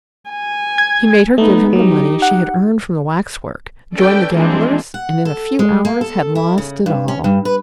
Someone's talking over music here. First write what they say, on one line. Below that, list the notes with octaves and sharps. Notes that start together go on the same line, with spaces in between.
He made her give him the money she had earned from the waxwork, joined the gamblers and in a few hours had lost it all.
G#5
G#6
A3 B3 D#4
F#3 D#4 G4
F#5
C#4 A4 B4 D5 G5
E3 F3 G#3 A#3 C4 D4
F#5
A4
G#3
A#3
A4
E4
C#3
G2
C#4
G2
B4